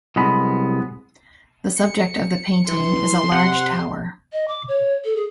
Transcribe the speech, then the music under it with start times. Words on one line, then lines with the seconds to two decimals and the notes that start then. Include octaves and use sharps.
The subject of the painting is a large tower.
0.16 C2 F#3 G#3 B3 B5
1.76 C#7
2.68 E3 C6
3.32 C3 F#5
4.33 D#5
4.48 D6
4.68 C#5
5.05 A4
5.16 G#4